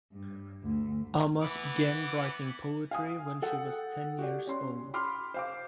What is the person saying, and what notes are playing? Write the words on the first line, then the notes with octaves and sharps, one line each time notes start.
Amas began writing poetry when she was ten years old.
G2
D2
E3 B3 D6
F5 G#5 D#6
A4 F#5 G5
F#4 G4 D5
C#4 C6
B5 C6 D6 F6
C5 F5 D6